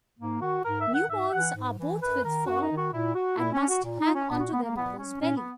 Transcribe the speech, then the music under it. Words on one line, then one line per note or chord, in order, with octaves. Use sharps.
Newborns are both with fur and must hang onto their mother's belly.
G#2 A#3
D#3 F#4
G#2 A#4
E5
D#3
F#5
G#2 E5
E3 F#5
G#2
E3
F#2 B4
D#3 A#4
F#2 F#4
D#4
D#3
F#4
A#2 E4
F#4
A#2 E4
C#4
F#4
A#2
D#4
C#4
A#2 B3
F#4
B3
A#3
A#2 B3
C#4
A#2 C#4
B3